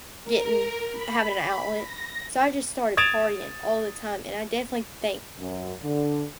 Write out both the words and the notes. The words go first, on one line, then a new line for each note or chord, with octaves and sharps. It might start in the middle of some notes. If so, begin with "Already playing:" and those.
getting having an outlet." So, I just started partying all the time, and I definitely think
A#4
B5
A#6
D#6 G#6 A6 D7 E7 F7
F#2
D3